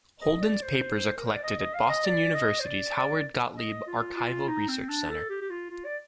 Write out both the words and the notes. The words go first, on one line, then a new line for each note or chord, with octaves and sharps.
Holden's papers are collected at Boston University's Howard Gotlieb Archival Research Center.
D#5
D5
C5
A#4
C5
D5
D#5
D#5
F5
D#5
D5
D#5
C5
D5
D5
D#5
F4
F4
D#4
C4
D4
A4
G4
G4
F4
F4
D5